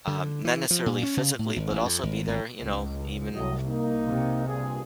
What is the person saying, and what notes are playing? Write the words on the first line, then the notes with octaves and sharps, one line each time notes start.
um, not necessarily physically, but also be there, you know, even
D3
E3
F3
A#2
C#4
C#3
A2
G#1
A1
F2
G#1
G#1
C#2
C2 A2 F#3 D#5
A#3 D#4
C3
G2 A#2 G#4